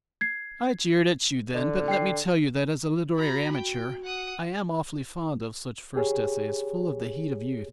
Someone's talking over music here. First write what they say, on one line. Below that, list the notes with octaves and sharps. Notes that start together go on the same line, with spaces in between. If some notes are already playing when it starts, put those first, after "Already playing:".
I jeered at you then, but let me tell you that, as a literary amateur, I am awfully fond of such first essays, full of the heat of youth.
G#6 C7
D3
G5 C7
F#4 A#5 B5
G5
F#5 D#6
G4 G#4 C#5